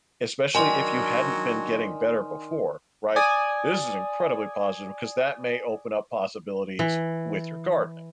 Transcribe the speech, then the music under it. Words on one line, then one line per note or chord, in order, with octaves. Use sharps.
Especially if you hadn't been getting better before, right? This is incredibly positive 'cause that may open up possibilities with your gardening,
D#3 F#3 D4 G#5 C6
D5 G#5 D#6
E3